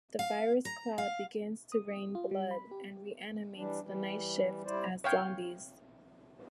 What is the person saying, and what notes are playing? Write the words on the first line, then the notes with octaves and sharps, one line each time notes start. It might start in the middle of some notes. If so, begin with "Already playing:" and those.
The virus cloud begins to rain blood, and reanimates the Night Shift as zombies.
F5
A#5
F5
D#6
F4
G3
B5
G4
E3 G3 D4
E3 G3
G3 E4 C5 D5
C#5 F5 G5